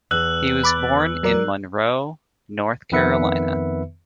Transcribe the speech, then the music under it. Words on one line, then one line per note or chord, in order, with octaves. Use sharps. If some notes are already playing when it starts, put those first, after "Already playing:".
He was born in Monroe, North Carolina.
E2 E6 F#6 F#7
B5 D6 A6
F#3 A#4 D5
F2 D#3 B3 B4 E5 C#7